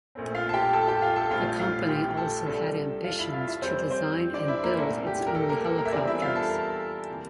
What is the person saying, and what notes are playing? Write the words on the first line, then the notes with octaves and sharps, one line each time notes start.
The company also had ambitions to design and build its own helicopters.
A#1 A#2 A3 C4
F4 F5
A5
G4 G5
A4 A5
G4 G5
F4 F5
A4 A5
A#1 A2 G3 C4 F4 F5
F4 F5
G4 G5
A4 A5
C2 C3 G3 D4 A4 A5
F4 F5
E4 E5
F4 F5
E4 E5
F2 E3 G3 C4 C5
C4 C5
D4 D5
E4 E5
A#3 A#4
C2 A#2 A3 D4 A4
G4
A#4
A4
A#3 A#4
A4
A#3 A#4
E5
E2 E3 G3 C4 D4 D5
E4 E5
F4 F5
A4 A5
A#4 A#5
C3 E3 A#3